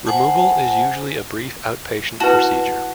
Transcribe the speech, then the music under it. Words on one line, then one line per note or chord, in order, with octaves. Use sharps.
Removal is usually a brief outpatient procedure.
C5 F#5 G#5 A5
E4 F#4 B4 A5